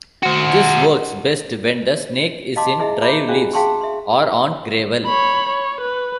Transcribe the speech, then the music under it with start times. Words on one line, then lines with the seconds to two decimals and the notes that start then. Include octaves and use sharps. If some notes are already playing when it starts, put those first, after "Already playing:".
This works best when the snake is in dry leaves or on gravel.
0.23 F#4 C5
2.56 D#5 F5 A5 C6 D6
2.79 D#4 E4 G#4 D#5 E5
3.02 C#5 E5 A#5 B5 D6
3.28 C#4 D4 F#4 G#4 F5
3.53 G#4 F5 G5 A5 C6 C#6
3.81 E5 C6
5.05 C#5 B5
5.49 C#5
5.81 B4